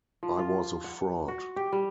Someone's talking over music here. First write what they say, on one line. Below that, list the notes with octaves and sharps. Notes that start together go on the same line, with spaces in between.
I was a fraud.
F3
F4
F#5
F#4
G4
G3